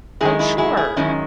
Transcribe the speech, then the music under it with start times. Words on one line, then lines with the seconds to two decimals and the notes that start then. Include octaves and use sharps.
Oh, sure.
0.21 F#2 D#3 G#3 E4 G#4
0.39 E4 G#4
0.58 E4 G#4
0.77 E4 G#4
0.97 F#2 D#3 G#3 C#4 E4